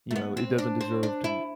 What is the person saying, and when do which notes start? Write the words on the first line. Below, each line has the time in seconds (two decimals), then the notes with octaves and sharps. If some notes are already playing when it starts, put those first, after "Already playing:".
you know, it doesn't deserve to
0.11 A3
0.16 B3
0.37 C4
0.58 D4
0.81 C4
1.03 D4
1.24 E4